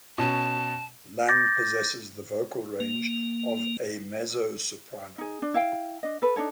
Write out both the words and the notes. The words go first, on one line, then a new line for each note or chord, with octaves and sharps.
Lang possesses the vocal range of a mezzo-soprano.
B2 C#4 A5
D6 G6 A6 A#6
A#3
D#4 G#4
D4
E4 F5 G5
D4 D#5
A4 B4
D4 D#4 A4 C#5